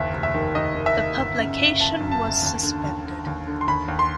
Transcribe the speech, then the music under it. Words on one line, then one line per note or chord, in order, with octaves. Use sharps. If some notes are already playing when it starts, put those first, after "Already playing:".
The publication was suspended.
Already playing: F#1 D#2 E5
F1
E5
D#3
D#3 D#5
D#3
E5
D#3
G1
C#3
G1
G1 A5
F#2
A5
C#3
D#2
D3
D#2
D3
D#2
D3
C6
D#2 B5
D#2
C6